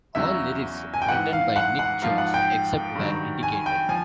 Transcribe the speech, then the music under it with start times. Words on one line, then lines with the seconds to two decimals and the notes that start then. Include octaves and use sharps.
All lyrics written by Nick Jones; except where indicated.
0.15 E2 C#3 F#3 E5
0.94 G#5
1.02 G5
1.09 G#2 E3 F#5
1.33 F5
1.56 F#5
1.79 F#5
2.02 G#2 F3 F5
2.18 F#5
2.34 G5
2.95 G2 D#3 F#3
3.43 G#5
3.66 G5
3.89 F3 G#5